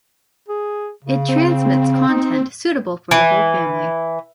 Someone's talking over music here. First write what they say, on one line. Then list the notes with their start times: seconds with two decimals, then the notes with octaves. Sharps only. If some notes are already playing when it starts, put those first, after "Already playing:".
It transmits content suitable for the whole family.
0.49 G#4
1.05 C#3
1.29 C4
2.09 D#4
3.11 E3